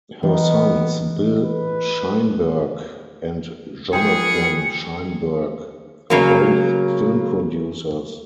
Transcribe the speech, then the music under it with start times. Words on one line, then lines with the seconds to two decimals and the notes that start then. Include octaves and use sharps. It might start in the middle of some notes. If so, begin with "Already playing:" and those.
Her sons, Bill Sheinberg and Jonathan Sheinberg, are both film producers.
0.23 D#3 E3 B3
1.42 B4
3.93 D#3 F3 B3 G#4 G5 C#7
6.10 C#3 F#3 A#3